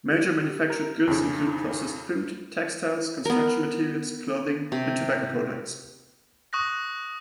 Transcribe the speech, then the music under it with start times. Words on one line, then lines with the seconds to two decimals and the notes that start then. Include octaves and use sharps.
Major manufactured goods include processed food, textiles, construction materials, clothing and tobacco products.
0.11 G4
0.70 A#4
1.07 F2 C#3 D4
1.33 D#4
3.25 B3 A#4
4.72 C3
6.53 C#6 D#6 F#6 A#6